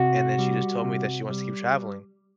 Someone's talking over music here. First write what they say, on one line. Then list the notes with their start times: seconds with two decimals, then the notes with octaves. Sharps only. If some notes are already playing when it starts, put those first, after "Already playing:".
and then she just told me that she wants to keep traveling,
Already playing: C3 F#4
0.39 G3
0.84 C3
1.30 G3